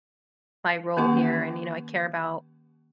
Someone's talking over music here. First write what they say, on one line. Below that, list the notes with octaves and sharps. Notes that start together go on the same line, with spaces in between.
my role here, and, you know, I care about,
D#3 A#3 C#4 G4 F#5 C#6